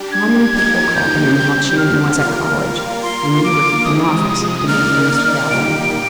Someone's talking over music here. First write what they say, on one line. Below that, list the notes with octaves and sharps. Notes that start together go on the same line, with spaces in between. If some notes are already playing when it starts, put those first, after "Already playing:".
"How many people called in, while Channing was at college, and you were keeping office?" demanded Mr. Galloway.
Already playing: G3 D4 G4
G#6
F3 A#3 D#4 G4 A#4
G6
C3 G3 C4 G4
G6
F6
G3 A#3 F4 A#4
A#3 F4 A#4 C6
D6
C3 F3 G#3 D#6
D#6
D#3 A#3 D#4 A#4 D5 F6
A#2 G3 A#3 D#4 G4 D7